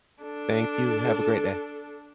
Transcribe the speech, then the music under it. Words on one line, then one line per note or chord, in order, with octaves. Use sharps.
Thank you, have a great day.
D4 A4